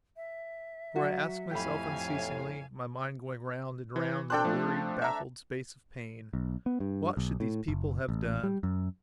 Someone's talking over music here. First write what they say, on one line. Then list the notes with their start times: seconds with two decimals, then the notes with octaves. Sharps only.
For I ask myself unceasingly, my mind going round and round in a weary, baffled space of pain--what should these people have done?
0.16 E5
0.96 F#3 F#4
1.51 F2 A2 G4 A4 F5 G#5 B5
3.96 E3
4.30 C4 D4 A4 G5 A5 F#6
4.45 F3 A3
5.02 E5 A#5
6.33 B1
6.66 B3
6.80 G2
7.17 B1
7.40 A2
7.68 F#1
8.09 A1
8.43 G3
8.63 F#2